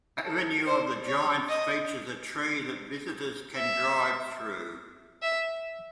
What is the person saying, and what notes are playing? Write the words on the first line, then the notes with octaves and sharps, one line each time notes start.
Avenue of the Giants features a tree that visitors can drive through.
A4
C5
C#5
D#5
E5
E5